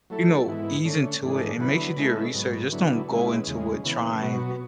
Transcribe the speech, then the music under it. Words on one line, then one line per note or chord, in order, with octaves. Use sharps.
you know, ease into it and make sure you do your research. Just don't go into it trying,
F#3 A3 E4 A4
G#2 E3 B3 E4
D3 A3 C#4
G#2 E3 A3 D4 G#4
D3 F#3 B3 E4 B4
C#3 G#3 B3 E4 A4
G#2 F#3 B3
D3 F#3 B3 E4
C#3 G#3 B3 E4
E2 C#3 G#3
C#3 E3 B3
B2 F#3 B3 F#4